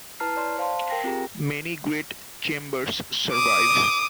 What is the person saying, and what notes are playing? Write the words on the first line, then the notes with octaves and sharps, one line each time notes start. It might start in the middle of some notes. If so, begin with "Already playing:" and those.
Many great chambers survive.
E4 B4 A5 A#5 F6 C7
C#5 D5 C6
C5 F5 A5 C6
A#4 G5 A#6
C4 F4 G4 G#4 A#5
D6 D#6